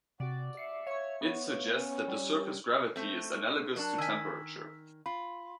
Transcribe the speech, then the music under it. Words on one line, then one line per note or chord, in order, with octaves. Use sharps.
It suggests that the surface gravity is analogous to temperature.
C3 F#4 D5
E5 C7 C#7
C#5 F5 C#6
B3 C#5
C#4
G3
A3 C4
F#3 D4 A#4
D#3 G#5 E6 B6
F4 B5